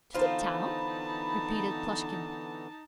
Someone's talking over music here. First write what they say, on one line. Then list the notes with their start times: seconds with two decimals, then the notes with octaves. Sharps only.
"To the town?" repeated Plushkin.
0.14 D3 E3 B3 D#4 F4 C5 A5 B5